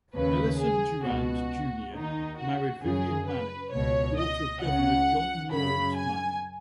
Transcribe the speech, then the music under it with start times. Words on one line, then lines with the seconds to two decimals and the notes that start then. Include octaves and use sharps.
Ellison DuRant, Junior married Vivian Manning, daughter of Governor John Lawrence Manning.
0.14 D#2 C#3 B4
0.59 G#4
1.03 C#2 B2 F#4
1.93 D#2 D#3 D#4
2.37 F#4
2.82 F#2 C#3 G#4
3.27 B4
3.71 C#2 B2 C#5
4.17 D#5
4.60 C#2 C#3 F#5
5.50 F#2 C#3 B5
5.95 G#5